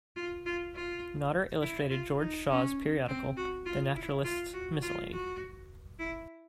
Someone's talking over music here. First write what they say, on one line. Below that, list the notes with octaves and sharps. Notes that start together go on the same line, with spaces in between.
Nodder illustrated George Shaw's periodical "The Naturalist's Miscellany".
F4
F4
F4
E4
F4
D#4
C#4
C4
F#4
F4
E4
F4
F#4
F4
F#4
E4